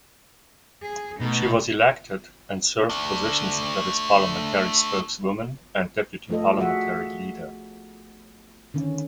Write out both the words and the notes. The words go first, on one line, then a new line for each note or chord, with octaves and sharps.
She was elected and served positions that is parliamentary spokeswoman and deputy parliamentary leader.
G#4
B2 A3 D#4
A3 D4
F3 A3 F4 A4 D#5
F#4 G#4 E5 F#5
D3 D#3 C#4